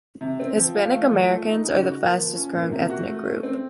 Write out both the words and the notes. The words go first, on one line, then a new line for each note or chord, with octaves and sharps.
Hispanic Americans are the fastest growing ethnic group.
C3
C4
F3
F4
A3
F3
A3
D#4
C#3
F#4
A#3
F3
C#4
A#2
C3
F#4
A3
A3
C4